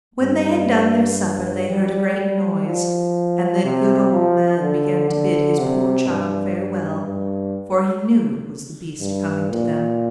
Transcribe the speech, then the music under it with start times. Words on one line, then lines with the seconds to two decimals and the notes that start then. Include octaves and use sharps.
When they had done their supper, they heard a great noise, and the good old man began to bid his poor child farewell, for he knew it was the beast coming to them.
0.21 G2
1.68 G3
2.17 G3
2.66 F3
3.64 C3
4.12 F3
4.60 D3
5.09 D3
5.58 C3
6.07 G2
6.56 G2
7.06 G2
9.00 G2
9.50 A#2